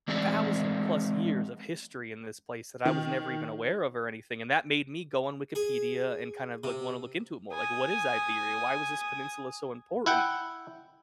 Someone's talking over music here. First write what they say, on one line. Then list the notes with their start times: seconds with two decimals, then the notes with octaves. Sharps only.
thousand plus years of history in this place that I was never even aware of or anything, and that made me go on Wikipedia and kind of look like, wanna look into it more, like, what is Iberia? Why was this peninsula so important?
0.08 E3 G#3 C4 G#4 D5
2.85 D#3
5.55 G#4
6.64 C3
7.53 G#5 D#6
10.06 E4 F#5 G5